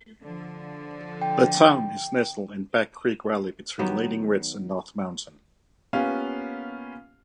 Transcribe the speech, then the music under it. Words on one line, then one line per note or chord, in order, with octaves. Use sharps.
The town is nestled in Back Creek Valley between Leading Ridge and North Mountain.
D3 F3
G5
D#3 F#3 B3 G4
A#3 B3 C#4 F4 G4 F5